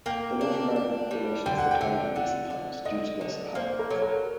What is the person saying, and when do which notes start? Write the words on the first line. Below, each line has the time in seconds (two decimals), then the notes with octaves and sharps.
The North American population has declined in recent times due to loss of habitat.
0.06 A#3 G5
0.41 D4
0.76 D4
1.11 G3
1.46 D3 G5
1.58 F#5
1.71 G5
1.81 D3
2.16 D3 F#5
2.50 D3
2.85 D3 D#5
3.21 D3
3.55 A#3 C5
3.79 A#4
3.90 F#3
4.02 A#4